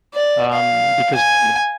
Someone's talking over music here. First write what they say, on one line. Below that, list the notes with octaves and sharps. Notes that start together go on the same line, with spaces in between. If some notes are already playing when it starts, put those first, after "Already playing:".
um, because, you know
D5
F5
G#5